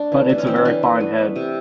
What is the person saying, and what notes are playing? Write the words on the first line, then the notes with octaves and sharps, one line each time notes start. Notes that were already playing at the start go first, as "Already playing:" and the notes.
But it's a very fine head.
Already playing: A3 D4
E3
E3 D4
C#4
E3 C4
C#4
E3 D4
A3
B3
B3
C3